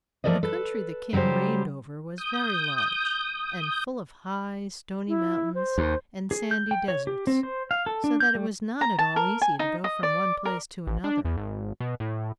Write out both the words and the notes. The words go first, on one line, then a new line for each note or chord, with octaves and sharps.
The country the king reigned over was very large, and full of high, stony mountains and sandy deserts, so that it was not at all easy to go from one place to another.
F3 A3 A#4 D5 D#5
A4 B4
C#3 F#3 G3 G4 C5
D#6 G6
E4
C5
D#2
G#4
G6
G5
C#5
G4
C4
C5
F5
A4
D4
G6
G3
A#5
A5
A#4
G#5
D#4
D#5
D5
A#4
A1
D4
E2
G#1
B2
A2